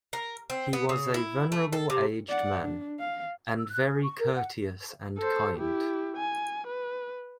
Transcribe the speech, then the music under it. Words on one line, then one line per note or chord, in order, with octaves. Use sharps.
He was a "venerable aged man", and very courteous and kind.
A#4
C4
B3
C#3
E4
A3
A4
C3
D5 F#5
D4
F5
E6
F#6
G#4
C#6
A#4
F#5
A4 C5
E4 G4
G#5
B4